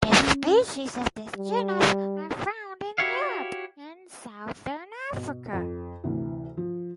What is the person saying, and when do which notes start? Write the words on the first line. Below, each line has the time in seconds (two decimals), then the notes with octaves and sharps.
The species of this genus are found in Europe and Southern Africa.
0.22 C#4
1.36 G3
2.98 E4 F#4 G4 C#5 E5 F5
5.13 B2
5.53 F2
6.04 D2 C3 E3
6.57 F3